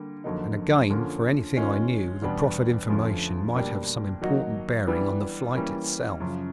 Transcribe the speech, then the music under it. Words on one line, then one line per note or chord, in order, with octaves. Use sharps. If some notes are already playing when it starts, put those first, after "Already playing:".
And again, for anything I knew, the proffered information might have some important bearing on the flight itself.
Already playing: D3 G3 A#3
F2 D3 F#3 A#3 D#4
D3 F3 A#3 C#4
D#3 G#3 C#4 F4
E2 B2 G3 B3 D4
F2 D3 F3 A3 C#4
B2 G3 A#3 D4 G4
D#3 F#3 A#3 D#4 F#4
E3 G3 B3 D4
E3 G3 A#3 C#4
F#2 C#3 F3